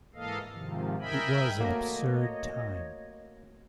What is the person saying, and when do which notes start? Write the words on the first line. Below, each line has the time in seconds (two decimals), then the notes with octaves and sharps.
It was an absurd time.
0.15 G#2 E3 A#3 A4 D#5 F5
0.51 G#2 C3 D#3 F3
1.00 A#4 D#5 E5 G5 G#5 B5
1.60 A3 A#3 C4 F#4 C#5 D#5 A#5